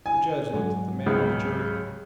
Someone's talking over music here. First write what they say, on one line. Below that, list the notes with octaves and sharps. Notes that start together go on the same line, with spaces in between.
The judge looked at the man on the jury.
G#5
G#2 F#3
C#2 C#3